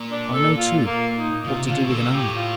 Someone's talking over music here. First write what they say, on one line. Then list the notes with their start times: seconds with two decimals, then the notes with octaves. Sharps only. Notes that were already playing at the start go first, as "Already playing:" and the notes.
I know, too, what to do with an army.
Already playing: A#2
0.11 D4
0.34 A4
0.56 F4
0.86 A#3
1.16 D#4
1.45 C3 F4
1.67 D3 F4
1.83 A2
1.90 A#2 A4
2.12 A2 G4
2.35 F4